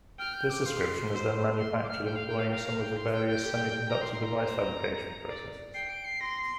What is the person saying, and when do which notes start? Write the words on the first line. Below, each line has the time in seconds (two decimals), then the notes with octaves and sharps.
This description is then manufactured employing some of the various semiconductor device fabrication processes.
0.19 G5 F6
0.34 G6
0.50 D6
0.66 F5 C6
1.12 C5
1.58 C6
1.83 D6
1.89 F6
2.04 G5
2.16 F5
2.27 G5
2.39 F5
2.50 A#4 F5
2.65 F5
2.81 G5
2.97 C6
3.12 G5
3.27 G5
3.43 G4
3.89 A#4 A#5
4.01 C6
4.13 C6
4.23 A#5
4.36 C5
5.29 D5
5.74 G5 C7
5.89 D7
6.05 C7
6.21 C6 A#6